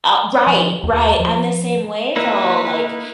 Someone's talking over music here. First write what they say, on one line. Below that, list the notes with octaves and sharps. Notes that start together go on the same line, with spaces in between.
Uh, right, right. I'm the same way, though. Like,
F3
D#2
F3
A#3 D#4 E4 B4